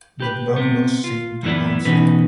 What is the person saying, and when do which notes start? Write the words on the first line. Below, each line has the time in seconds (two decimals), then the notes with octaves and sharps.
The block looks same to Old Slab.
0.20 G4 B4
0.56 C3 B3
1.04 F4
1.43 F#2 E3 G3 B3 E4 D5
1.85 B2 E3 C#4 D#4 B4